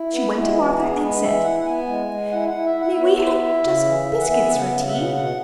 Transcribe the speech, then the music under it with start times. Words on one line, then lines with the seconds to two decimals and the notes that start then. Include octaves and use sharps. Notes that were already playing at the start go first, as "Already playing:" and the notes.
She went to Martha and said, 'May we have just biscuits for tea?
Already playing: E4
0.13 B3 B4
0.35 G#3 E4
0.50 G#4
0.57 E3 F#4
0.78 B3 G#4
1.01 G#3 B4
1.23 E3 E5
1.44 E4 F#5
1.60 F#5
1.66 B3 G#5
1.88 G#3
2.10 G#3
2.32 E4 F#5
2.48 F#5
2.54 E4
2.65 E5
2.75 E4
2.81 F#5
2.92 E5
2.97 B3
3.03 C#5
3.14 E5
3.19 E4
3.40 E4
3.62 C#3
3.85 E3
4.06 E3
4.20 F#5
4.28 B3 E5
4.49 C#3 F#5
4.72 C#3
4.87 E5
4.93 B2 F#5
5.15 B2 F#5